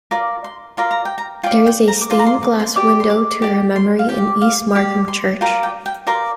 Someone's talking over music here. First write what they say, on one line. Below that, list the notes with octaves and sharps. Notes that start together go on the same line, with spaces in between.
There is a stained glass window to her memory in East Markham Church.
F4 A#4 D5 D6
C6
F4 A#4 D5 C6
A#5
G5
A#5
F4 D5 G5
G5
A#5
D6
F4 D5 C6
A#5
C6
D6
C6
G4 D5 D6
C6
D6
G4 D5 D6
C6
F5
G4 D5 G5
F5
G4 D5
C6
F4 A#4 D5 G5
G5
G5
F4 A#4 D5 C6